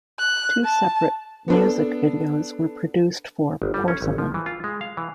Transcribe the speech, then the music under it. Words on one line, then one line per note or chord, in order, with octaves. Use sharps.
Two separate music videos were produced for "Porcelain".
F#6
A5
B3 D4 A4
G1
G3
C#4
G#1
F3
E3
F4
G#3
F5
E3